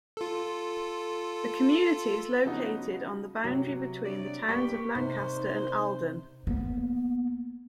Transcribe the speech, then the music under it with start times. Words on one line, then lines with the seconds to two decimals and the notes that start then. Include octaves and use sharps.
The community is located on the boundary between the towns of Lancaster and Alden.
0.17 F4 A4
2.45 C#3 F3 F#3 B3 D#4
3.44 C3 F#3
4.05 D4 D5
4.48 A#3 G4 A#4 B4 C#6 B6
4.95 C3 D#4 C5
6.47 A#3 B3